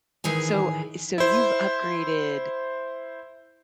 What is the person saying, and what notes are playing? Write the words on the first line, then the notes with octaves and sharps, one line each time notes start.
so so you've upgraded,
A2 D#3 E3 G#4 G#5
E4 C5